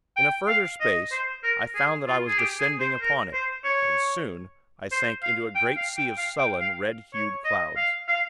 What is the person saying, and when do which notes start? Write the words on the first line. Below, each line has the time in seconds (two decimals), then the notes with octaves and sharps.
In a further space, I found that I was descending upon it; and, soon, I sank into a great sea of sullen, red-hued clouds.
0.16 G5
0.48 F5
0.80 D#5
1.11 C5
1.43 A#4
1.74 G#4
2.07 F4
2.27 G#4
2.38 G4
2.59 G#4
2.80 C5
3.01 A#4
3.33 C5
3.64 C#5
4.92 C5
5.23 F5
5.55 G5
5.76 F5
5.97 G5
6.18 F5
6.39 G5
6.60 F5
7.13 C#5
7.45 D#5
7.76 F5
8.08 F5